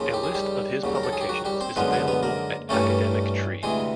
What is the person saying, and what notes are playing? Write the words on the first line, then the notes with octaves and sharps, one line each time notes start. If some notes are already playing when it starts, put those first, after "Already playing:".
A list of his publications is available at Academic Tree.
Already playing: D#2 C#3 F3
G4
G#4
G3 G4
D#2 C#3 F#3
A#4
A4
G#4
G4
F#3 F#4
G3 G4
C4 C5
F#2 D3 F3 G#3 B3 B4
B3 B4
B3 B4
A#3 A#4
G2 E3 G3 A3 A#3 C#4 A4
D2 C3 E3 G#3 G#4